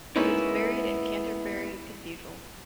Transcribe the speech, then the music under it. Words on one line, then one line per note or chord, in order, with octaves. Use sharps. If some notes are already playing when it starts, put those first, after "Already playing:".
He was buried in Canterbury Cathedral.
G#3 A#3 B3 C#4 D#4 E4